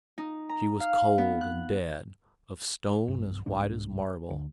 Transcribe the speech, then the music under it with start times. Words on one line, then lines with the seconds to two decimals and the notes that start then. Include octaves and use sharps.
She was cold and dead--of stone as white as marble.
0.18 D#4
0.49 A#5
0.80 F5
1.18 B3
1.41 F#6
3.08 B1 G2
3.46 C2 G#2 G#3 D4
4.30 D2